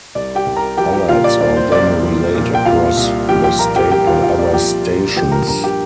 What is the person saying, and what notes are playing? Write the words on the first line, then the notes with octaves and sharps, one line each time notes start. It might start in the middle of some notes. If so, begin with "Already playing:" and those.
Alerts are then relayed across the state by other stations.
C2 D5
G4 G5
C2
A#4 A#5
F3 G4 G5
G4 G5
A#2 F4 F5
D5
C2 D5
C5
C2 D5
D5
F3
A#2
G5
C2 F4 F5
C2
F3 G4 G5
G4 G5
A#2 A#4 A#5
G4 G5
C2 G4 G5
F4 F5
C2 F4 F5
D5
F3 G4 G5
A#2
F3 G4 G5
A#4 A#5
G2 A#4 A#5
G4 G5